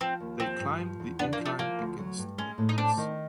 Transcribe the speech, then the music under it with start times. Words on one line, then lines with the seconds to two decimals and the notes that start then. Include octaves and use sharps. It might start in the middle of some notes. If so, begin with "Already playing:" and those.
They climbed the incline against the heavens.
0.01 F3 C4
0.20 D#2
0.40 F3 C4
0.60 G2
0.80 F3
1.00 E2
1.19 B3 D4
1.33 A#3
1.39 F3
1.46 A3
1.59 F3 A#3
1.79 D2
1.99 F#3
2.18 G2
2.38 G#3 C#4
2.58 A2
2.69 D#4
2.78 C4 D4
2.98 D#3